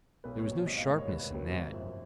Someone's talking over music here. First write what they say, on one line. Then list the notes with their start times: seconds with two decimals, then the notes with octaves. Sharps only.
There was no sharpness in that.
0.24 B1 B4
0.38 C#5
0.45 A#2 F#3
0.53 C#5
0.66 G#1 D#5
0.77 F5
0.89 G#2 D#3 D#5
0.98 C#5
1.09 F1 B4
1.30 D#2 D#3 F#3
1.52 G#1
1.74 F#2 F3